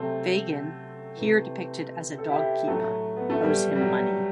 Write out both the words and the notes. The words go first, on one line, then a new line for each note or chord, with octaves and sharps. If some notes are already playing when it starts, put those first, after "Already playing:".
Fagin, here depicted as a dogkeeper, owes him money.
Already playing: C3 F#3 A3 C4
C3 E3
A4
E4 G4
A2 F#3 A3
B3
A3
G3
G3
F#3